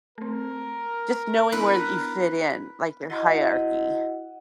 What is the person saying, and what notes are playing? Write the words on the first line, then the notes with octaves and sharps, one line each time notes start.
Just knowing where you fit in, like, their hierarchy.
A3 C4 A#4
B3 D4 E4 B4
E4 F#4 D#5 F#5